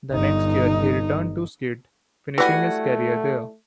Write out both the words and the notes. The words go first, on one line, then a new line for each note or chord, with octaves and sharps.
The next year he returned to Skeid, finishing his career there.
G1 D#4
E3 G3 A3 F#4 F#5 G#5